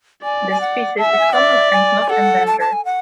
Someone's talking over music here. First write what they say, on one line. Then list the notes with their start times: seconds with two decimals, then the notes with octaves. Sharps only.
The species is common and not endangered.
0.23 D5 G#5
0.51 G#5
0.61 F#5
0.98 E5 A5
1.05 G#5
1.12 F#5
1.19 G#5
1.35 D5 E5
1.73 G#5
2.01 G#5
2.10 A4 F#5
2.47 A5
2.60 A5
2.73 G#5
2.85 F#5